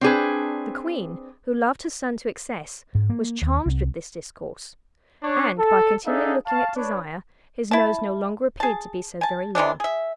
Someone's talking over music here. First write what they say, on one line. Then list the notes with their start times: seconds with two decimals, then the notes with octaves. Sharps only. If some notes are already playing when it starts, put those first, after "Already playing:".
The Queen, who loved her son to excess, was charmed with this discourse; and, by continually looking at Desire, his nose no longer appeared to be so very long.
0.01 C4 D4 G#4 B4
2.95 G#2
3.09 A#3
3.42 D#2
3.66 C2
5.23 C#4 D4 C#5
5.59 A4
6.06 D4 D#4 G#4 A4 E5 F5
6.46 F5 A5 C#6
6.75 D4 B4 C#5
7.71 E4 A5
8.60 G#4 A5
9.21 G#5 A5
9.55 C3 E3 G#3 D4
9.80 G#4 E5